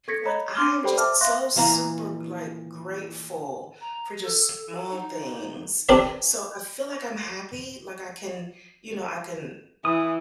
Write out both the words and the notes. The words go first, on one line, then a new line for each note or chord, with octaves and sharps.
Like, I'm just so super, like, grateful for just small things, so I feel like I'm happy. Like I can you know, I can
A4 C#6 G#6 A#6 B6 C#7
C#5 D#5 A#5 B5
D4 C6 D6 F6 G7
G4 A4 C5 D5 G5 B5
C5 E5 A5 D6 F6
E5 F5 C6 C#6 F#6 A#6
A#2 E3 F5 A#5
A#5
A4
D#4
C4 D4 G4 A#4 B4
E3 D#6